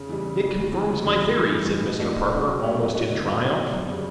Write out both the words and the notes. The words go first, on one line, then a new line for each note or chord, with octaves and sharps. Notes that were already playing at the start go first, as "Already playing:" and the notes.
"It confirms my theory!" said Mr. Parker, almost in triumph.
Already playing: C#3
E3 G3
C#3
E3 G3
D2
C#3 E3
D2
C#3 E3
G2
E3 A3
G2
E3 A3
B2
A3 D4 F#4 A4
B2
A3 D4 F#4 A4
F#3
A3 D4 G4 C#5
F#3
A3 D4 G4 C#5
D3
F#3 B3 D4
D3
F#3 B3 D4
F#2
C#3 G3